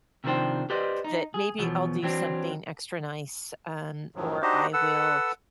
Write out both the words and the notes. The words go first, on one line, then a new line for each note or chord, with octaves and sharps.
that maybe I'll do something extra nice, um, or I will,
C3 D#3 F3 D4 C5 G5
G4 B4 C5 D5 D#5
D#4
G#4
E2 B2 F3 F#3
E3 F#3 C4 D4
F#2 A2 D#3 F3 F#3
D4 D#4 F#4 G4 C5 D#5
A4 B4 F#5 E6